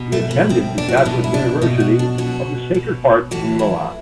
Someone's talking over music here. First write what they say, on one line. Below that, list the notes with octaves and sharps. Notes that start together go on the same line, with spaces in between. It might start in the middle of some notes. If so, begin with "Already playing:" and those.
He attended the Catholic University of the Sacred Heart in Milan.
Already playing: B2
A3
B3
B2 C4
D4
F#4
E4
B2 D4
E4
D4
B2 F#4
F#4
D4
B2 F#4
B2
A2 E3 F#4
E4